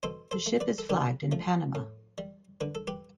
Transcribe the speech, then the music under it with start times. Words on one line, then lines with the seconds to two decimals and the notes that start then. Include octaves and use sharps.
The ship is flagged in Panama.
0.03 B2 A4 C5
0.31 A4 C5
0.46 A3
0.60 B4 D5
0.78 A4
0.89 D3 G4 B4
1.32 F3 A3
1.75 A2
2.18 G3
2.61 D3 B4
2.75 A4
2.87 G4 B4